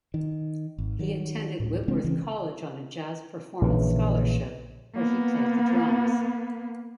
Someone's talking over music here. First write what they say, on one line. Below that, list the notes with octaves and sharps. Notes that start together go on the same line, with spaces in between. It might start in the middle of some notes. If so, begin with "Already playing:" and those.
He attended Whitworth College on a jazz performance scholarship, where he played the drums.
D#3
G#1
D#3 F#3
D2 A2
C#3 G#3 C4 D4
C#3 E3 C4 C#4
A#1 C#3 E3
A#3 B3